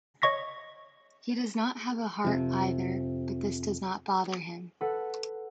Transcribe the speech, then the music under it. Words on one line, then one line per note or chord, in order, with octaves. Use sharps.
He does not have a heart either, but this does not bother him.
C#5 D#5 C#6 A#6 B6
F2 C3 F3
A4 B4 F#5